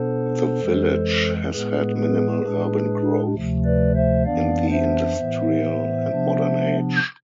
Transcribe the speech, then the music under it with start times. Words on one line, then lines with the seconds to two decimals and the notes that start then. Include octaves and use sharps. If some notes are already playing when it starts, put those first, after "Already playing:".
The village has had minimal urban growth in the industrial and modern age.
Already playing: B2 B3 D4 A4 C5
0.60 F2 E3 G#3
1.51 A2 G#3 B3 G#4 B4
1.97 G#4 B4
2.43 A2 G#3 D4
3.34 D2 C3 F3 A3
3.65 B4 D5
3.95 C5 E5
4.25 F2 E3 B3 D4 D5 F5
4.71 C5 E5
5.17 A2 E3 B3
6.09 C3 F3 B3 D4